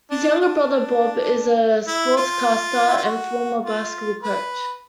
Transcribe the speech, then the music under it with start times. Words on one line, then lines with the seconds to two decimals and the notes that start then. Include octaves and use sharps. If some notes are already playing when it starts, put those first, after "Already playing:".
His younger brother, Bob, is a sportscaster and former basketball coach.
0.11 D4
0.40 D4
1.87 E4
2.17 F4
2.87 E4
2.96 F4
3.05 F#4
3.63 F4
4.23 B4